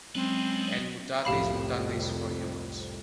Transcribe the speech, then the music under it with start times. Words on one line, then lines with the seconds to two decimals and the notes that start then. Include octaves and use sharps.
And "mutatis mutandis" for humans.
0.15 F#3 G#3 C4 C#4 G#4 B4
1.25 C2 F2 A2 G4 F5 B5